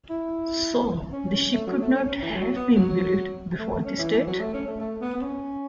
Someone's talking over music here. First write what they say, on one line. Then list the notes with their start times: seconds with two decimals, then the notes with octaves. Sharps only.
So the ship could not have been built before this date.
0.10 E4
1.13 C#4
1.33 C#4
1.53 A3
1.67 F#3
1.81 A3
1.94 C#4
2.08 C#4
2.22 E3
2.30 A3
2.35 F#3
2.56 B3
2.76 F#3
3.58 A3
3.71 A3
3.85 C#4
3.99 E3
4.13 E3
4.27 F#3
4.40 A3
4.54 C#4
4.67 A3
4.80 A3
5.01 B3
5.15 B3
5.22 C#4